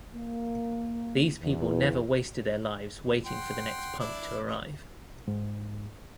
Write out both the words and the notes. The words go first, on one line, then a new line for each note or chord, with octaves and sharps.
These people never wasted their lives waiting for the next punk to arrive.
A#3
E2
F#5 G5 C6
D4 E4 D5
A3
G#2